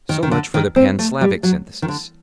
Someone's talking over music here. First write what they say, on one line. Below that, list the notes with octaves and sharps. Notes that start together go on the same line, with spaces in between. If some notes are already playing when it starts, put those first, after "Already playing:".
So much for the Pan-Slavic synthesis.
D#3
D#3
D3
D#3
C4
A3
G3
F#3
D#3
D3